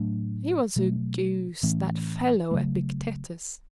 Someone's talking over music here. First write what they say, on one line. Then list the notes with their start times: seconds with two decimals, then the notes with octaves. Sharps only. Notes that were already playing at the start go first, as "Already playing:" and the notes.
"He was a goose, that fellow Epictetus."
Already playing: A2 F#3 A3 D4
0.76 B2 F#3 A3
1.63 A2 E3 A3 C#4
2.51 C#3 F#3 A3